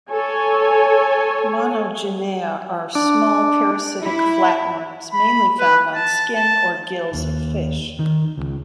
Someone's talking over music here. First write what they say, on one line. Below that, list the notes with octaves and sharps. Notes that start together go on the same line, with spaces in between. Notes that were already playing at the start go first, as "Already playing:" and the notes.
Monogenea are small parasitic flatworms mainly found on skin or gills of fish.
A4 C#5 G#5
D4
E4
B5
B4
A5
A5
D#2
D#3
C#2